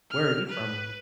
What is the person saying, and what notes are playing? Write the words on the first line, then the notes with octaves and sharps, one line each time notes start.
Where are you from?
F6
B4